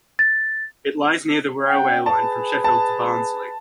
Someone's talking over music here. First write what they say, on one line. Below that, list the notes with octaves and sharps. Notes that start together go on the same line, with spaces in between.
It lies near the railway line from Sheffield to Barnsley.
A6
C#4 F#5 G5
G#4 B4 A5
A5